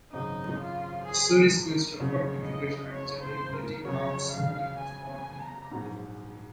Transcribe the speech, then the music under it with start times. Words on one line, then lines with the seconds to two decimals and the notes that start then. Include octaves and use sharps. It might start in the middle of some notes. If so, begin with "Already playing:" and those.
The Swedish Minister for Integration and Gender Equality, Nyamko Sabuni, was born in Burundi.
0.13 G#1 F#2 C#3 F#3 D#4
0.60 F4
1.05 G#4
1.67 A#4
1.99 F#1 F2 C#3 F#3 C#5
2.45 D#5
2.92 C#5
3.24 C5
3.54 A#4
3.85 F2 C#3 F#3 C#5
4.32 F5
4.78 G#5
5.09 G#5
5.40 A#5
5.71 A#1 G#2 F#3